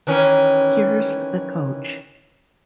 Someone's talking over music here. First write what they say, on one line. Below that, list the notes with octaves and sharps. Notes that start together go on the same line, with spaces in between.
Here’s the coach.
D#3 E3 C#4